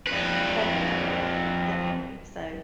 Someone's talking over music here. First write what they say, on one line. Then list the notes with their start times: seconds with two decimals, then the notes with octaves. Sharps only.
better that way, I think, definitely, so,
0.07 F2 B4